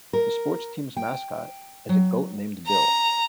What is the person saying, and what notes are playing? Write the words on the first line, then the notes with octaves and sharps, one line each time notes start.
The sports teams' mascot is a goat named Bill.
A#4
G5
F#3
A#5